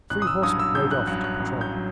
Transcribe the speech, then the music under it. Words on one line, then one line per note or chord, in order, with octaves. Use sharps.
Three horsemen rode off to patrol.
A1 F#6
D#6
E6
G2 F#3 D#6
E6
A1 G6
F#6
G2 F#3 F#6
F#6
A1
G6
F#3